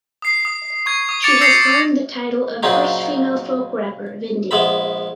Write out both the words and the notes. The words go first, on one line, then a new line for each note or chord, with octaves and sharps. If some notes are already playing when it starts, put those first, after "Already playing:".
She has earned the title of first female folk rapper of India.
D#6 C7
D#6
C#6 G#6
D#6
D6 A6 C#7 D7 F7
E6 G6 A#6 C7 C#7 F7
A#2 C#3 F#3 C4 C#4 D#4
A#1 G#3 B3 E5 B5